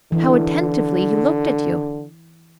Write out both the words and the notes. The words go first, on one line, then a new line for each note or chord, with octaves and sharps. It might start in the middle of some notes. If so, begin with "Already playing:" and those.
"How attentively he looked at you."
D3 E3